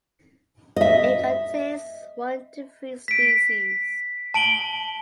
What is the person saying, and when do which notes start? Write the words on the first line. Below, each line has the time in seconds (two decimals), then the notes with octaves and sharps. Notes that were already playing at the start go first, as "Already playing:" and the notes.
It contains one to three species.
0.76 D#5 E5
3.08 B6 D7
4.34 A5 D7 F#7 G7